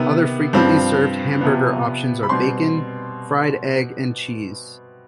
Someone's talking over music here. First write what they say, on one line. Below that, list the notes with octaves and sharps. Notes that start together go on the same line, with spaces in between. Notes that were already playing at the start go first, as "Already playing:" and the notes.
Other frequently-served hamburger options are bacon, fried egg and cheese.
Already playing: C3 D#3 B3
G2 F3 C4
C3 F3 B3
B5
B2 G3 C4 C6